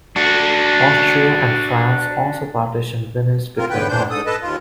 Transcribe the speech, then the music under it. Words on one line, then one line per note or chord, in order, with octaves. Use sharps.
Austria and France also partitioned Venice between them.
D4 F#4
C4 F4 A#4
E2 A2 D3 B4 G5
E2 E3 D4 C5 G6
G#2 D3 A4 D#6
A4 B4 D#5 A5
D#2 D#3 F4